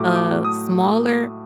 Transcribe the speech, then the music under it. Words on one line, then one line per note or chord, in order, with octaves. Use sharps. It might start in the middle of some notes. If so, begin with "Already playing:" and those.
a smaller
Already playing: A2 F#3 A3 D6
D#6
D6
D#6